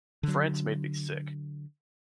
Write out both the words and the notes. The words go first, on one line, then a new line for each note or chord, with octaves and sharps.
France made me sick.
D3 F#3